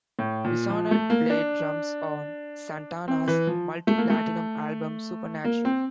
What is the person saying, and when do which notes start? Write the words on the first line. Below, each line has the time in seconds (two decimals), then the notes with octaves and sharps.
Bissonette played drums on Santana's multi-platinum album "Supernatural".
0.19 A2
0.45 A#2
0.70 F3
0.91 A3
1.10 A#3
1.30 D4
3.08 C4
3.28 E3
3.47 F3
3.87 A3
3.98 A#3
4.10 A3
5.45 A#3
5.65 C4